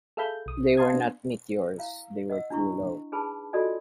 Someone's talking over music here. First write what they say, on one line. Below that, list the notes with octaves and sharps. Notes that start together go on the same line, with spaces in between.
They were not meteors; they were too low.
G#4 A4 E5 F5 B5 G6
B1 D#6
F5 A5 C6 D#6 G#6
B3 D4
E4 F5
D#5 F#5 E6
D4 E4 C#6
D#4 G#4 B4 G#5 A5 B5
F4 F#4 A4 D5 D#5 G#5